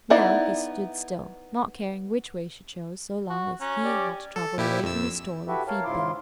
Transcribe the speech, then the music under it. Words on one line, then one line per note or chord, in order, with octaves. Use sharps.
Now he stood still, not caring which way she chose so long as he had to travel away from his stall and feed-bin.
B3 D#4 E4 D5 F#5
F#4
C#4 A#5 F#6
G4 D5
A4
A#2 E4 G4
F2 E6
E4 F#4 G4 A4 B4 E5
A#4 C#5 F5 A5
G#2 C#3 E4 F4 C6 D6